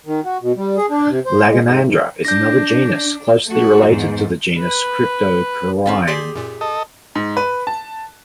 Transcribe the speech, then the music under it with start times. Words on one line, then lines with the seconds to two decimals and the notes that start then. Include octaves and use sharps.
"Lagenandra" is another genus closely related to the genus "Cryptocoryne".
0.06 D#3
0.24 F#4
0.42 B2
0.56 G3
0.77 G#4
0.90 D4
1.09 C3
1.26 C5
1.49 G#3
1.61 G#2
1.83 G#2
2.25 D4 G6 A#6
3.47 A3 F#4
3.86 E2 G#2
4.59 B4
5.86 G1 C4 C#4 A4
6.07 G4 G#4 D5 C6 B6
6.35 F#2 A#2
6.61 A4 D#5
7.15 G#2
7.37 B4
7.67 A5